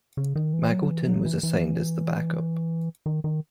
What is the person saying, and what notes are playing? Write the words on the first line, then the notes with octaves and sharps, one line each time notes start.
Magilton was assigned as the back-up.
C#3
D#3
E3
F#3
E3
F#3
E3
E3
D#3
D#3